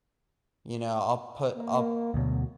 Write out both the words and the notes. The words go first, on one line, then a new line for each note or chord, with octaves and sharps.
you know, I'll put I'll
A#3
D2 B2 F#3